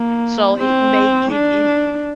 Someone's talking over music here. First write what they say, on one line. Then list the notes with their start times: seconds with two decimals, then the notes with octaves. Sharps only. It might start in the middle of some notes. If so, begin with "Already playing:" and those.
So it may give I
Already playing: A#3
0.58 C4
1.32 D4